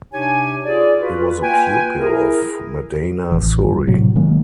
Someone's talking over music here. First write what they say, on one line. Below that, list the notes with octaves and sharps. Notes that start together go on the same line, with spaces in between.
He was a pupil of Madana Suri.
C3 D4 D#4 G4 C#5 G#5
F4 G#4 D5
F4 F#4 B4
A#3 F4 B4 G5 G#5
E4 G#4 A#4
A1 E3
G2
A2 C3 F#3
D#3 F#3 G#3 A#3